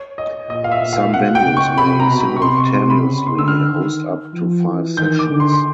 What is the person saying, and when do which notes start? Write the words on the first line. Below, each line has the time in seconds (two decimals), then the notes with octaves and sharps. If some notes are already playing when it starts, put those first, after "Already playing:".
Some venues may simultaneously host up to five sessions.
Already playing: C#5
0.18 D#5
0.50 A#2 D#5
0.64 F5
0.72 E5
0.81 A#2
0.93 F5
1.13 B2 F#5
1.35 G5
1.45 C#3
1.57 C#6
1.77 C3 B5
2.00 A#5
2.09 B2
2.20 B5
2.36 C#6
2.42 C3 C6
2.58 C#6
2.73 C3 C6
2.90 B5
3.05 C#3
3.27 C6
3.37 D3 E6
3.48 F6
3.70 D#3
4.33 F3
4.65 E3
4.97 D#3 G6
5.19 D6
5.30 D3
5.40 C6
5.53 C6